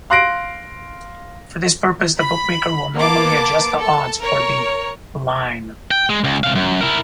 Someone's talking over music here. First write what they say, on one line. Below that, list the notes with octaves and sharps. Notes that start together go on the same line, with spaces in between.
For this purpose, the bookmaker will normally adjust the odds or the "line".
F5 C6 F#6 A#6 C7 D7
B5
A#3 B3 A5 D6
A4 A5
A#4 C#5
G5
G#3
C#2
C3 F5
F#2
E4 A#4